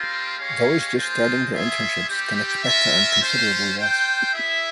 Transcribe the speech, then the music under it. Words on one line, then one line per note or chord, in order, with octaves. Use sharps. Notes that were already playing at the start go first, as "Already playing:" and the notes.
Those just starting their internships can expect to earn considerably less.
Already playing: G3 C4 F4 A#4
G#3 C#4 G4 C#5 F5
A#3 F4 G#4 C5
F4 G#4 C#5 E5
G3 C4 G4
C#4 F4 A#4 E5
C#4 F4 C5
F4 C5 G5
E4 G#4 E5